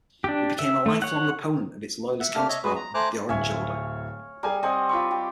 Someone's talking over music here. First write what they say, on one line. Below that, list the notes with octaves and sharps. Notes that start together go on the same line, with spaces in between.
He became a lifelong opponent of its loyalist counterpart, the Orange Order.
D4 G4
E5
A3
C#5 F#5
E5 F#5
A3 A#3 D4 G4 F6
C#5 D#5 E5
G#3 B3 F#4 G#4 B4
A#5
A3 C5 G#5 A#5 D6 F#6
D1 C#5 E5 F5 G#5
G3 G#4 G#5 A#5
C4 D#5 F#5 G#5 D#6
F4 B5 C#6
G4